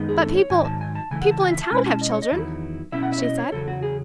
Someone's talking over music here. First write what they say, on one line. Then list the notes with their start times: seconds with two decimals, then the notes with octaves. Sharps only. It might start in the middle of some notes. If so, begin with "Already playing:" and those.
"But people--people in town have children!" she said.
Already playing: F#2 D#3 G#3 B3 D#4
0.09 G#4
0.19 A4
0.35 C#5
0.50 G#2 D#3 F#3 G#5
0.65 A5
0.81 G#5
0.95 A5
1.11 C#3 E3 A3 G#5
1.21 F#5
1.31 A5
1.41 G#5
1.51 E5
1.62 A5
1.71 B2 G#3 C#4 E4 G#5
1.86 A5
2.01 D#5
2.12 C#5
2.22 D#5
2.32 E2 D#3 F#3 B3 E4
2.92 B2 F#3 C#4 E4 E5
3.03 F#5
3.12 E5
3.18 C#5
3.23 D#5
3.38 C#5
3.52 E2 C#3 F#3 A4
3.68 F#4
3.82 G#4